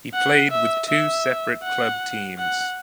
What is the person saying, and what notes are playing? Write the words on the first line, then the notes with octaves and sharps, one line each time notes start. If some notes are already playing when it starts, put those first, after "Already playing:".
He played with two separate club teams.
F#5
E5
E5
F#5
F#5